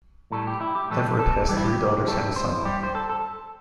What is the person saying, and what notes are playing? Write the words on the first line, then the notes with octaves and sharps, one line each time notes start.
Everitt has three daughters and a son.
A2 G3 A4
G4
E4
G4
A2 E3 G3 A4
A4
G2 E3 G3 G4
E4
G4
A2 G3 A4
C5
E4
G2 G3 G4
C5
A4
A4